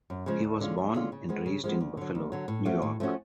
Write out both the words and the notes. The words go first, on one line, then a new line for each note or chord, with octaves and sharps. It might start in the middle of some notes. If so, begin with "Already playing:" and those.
He was born and raised in Buffalo, New York.
F#2
C#3 F3 G#3
D2
D3 G#3 C#4 F4
D2
D3 G#3 C#4 F4
C#3
F3 G#3 B3
C#3
F3 G#3 B3
D2
D3 F#3
D2
D3 F#3
A2
F3 A3 C#4 F#4
A2
F3 A3 C#4 F#4